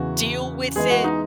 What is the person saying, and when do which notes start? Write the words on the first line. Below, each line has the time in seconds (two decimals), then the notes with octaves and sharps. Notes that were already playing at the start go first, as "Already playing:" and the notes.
deal with it,
Already playing: E2 C#3 E3 F#4
0.76 E3 G#3 B3 G#4
0.90 F#4
1.04 D#4